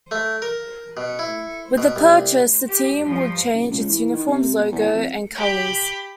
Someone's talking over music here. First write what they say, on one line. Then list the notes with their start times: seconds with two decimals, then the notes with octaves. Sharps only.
With the purchase the team would change its uniforms, logo, and colors.
0.11 A3
0.42 A#4
0.97 B2
1.19 E4
1.78 B2
1.96 C2
2.69 G4
3.02 G2 F3
3.53 F#1
3.71 C#2
3.89 E3
4.13 D#3
4.27 C3
4.57 B2
4.71 E2
4.94 F2
5.35 G4 B5